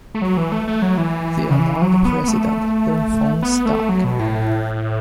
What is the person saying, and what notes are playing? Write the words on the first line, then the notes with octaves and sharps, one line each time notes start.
The annoyed President then phones Doug.
A3
F#3
E3
A3
A3
F#3
E3
C#3
E3
F#3
B3
B3
A3
B3
A3
F#3
B2
A2